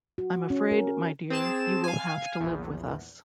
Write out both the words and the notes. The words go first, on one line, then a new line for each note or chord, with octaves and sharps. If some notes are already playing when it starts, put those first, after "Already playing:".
I'm afraid, my dear, you will have to live with us.
F#4
C#4
A#4
C4 G#4 A5 E7
F5 G#5
A#1 E2